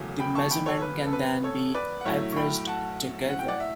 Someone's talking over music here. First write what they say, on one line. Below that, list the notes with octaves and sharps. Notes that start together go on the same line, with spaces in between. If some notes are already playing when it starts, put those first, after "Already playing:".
The measurements can then be averaged together.
Already playing: E1 E2 C#3 F#3 A3
G5 B5
A5 C#6
G5 B5
A4 C#5
B4
A4
B4
A4 C#5
B4 D5
F#5
B1 A2 F#3 A3 E4 C#5 E5
C#6
G5 B5
F#5 A5
F#5
G5
D5 F#5
E5